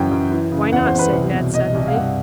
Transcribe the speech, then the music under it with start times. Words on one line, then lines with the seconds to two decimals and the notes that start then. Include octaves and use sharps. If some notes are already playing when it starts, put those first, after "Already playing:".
"Why not?" said Ned suddenly.
Already playing: F#2 C#3 E3 F#5 G5
0.12 F#2
0.31 E3
0.51 C#3
0.72 E2 F#5
0.86 C5
0.93 E2
0.99 B4
1.13 C2
1.33 B2
1.53 B2 D#5
1.74 C2
1.88 F5
1.94 G2 F#5